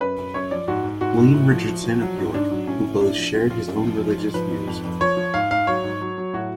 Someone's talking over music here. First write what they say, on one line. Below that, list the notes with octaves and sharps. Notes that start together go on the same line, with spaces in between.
William Richardson of York, who both shared his own religious views.
F#2 B4
F#2
F#2 C#5
F3 D5
G#2 F#4
G#2
G#2 F#4
G#2
A2
F3
F3
F3
F#3
G#2
G#2 D4
F#3
A2 C#4
A2
A2 D4
F3
F#2 F4
F3 F4
F#2
F3
F3
G#2
F3 B4
G#2
F2
F2
F3 C#5
F3
G#2 F5
G#2 F5
F#3 C#5
G#2
F#3
F#3
A2 F#4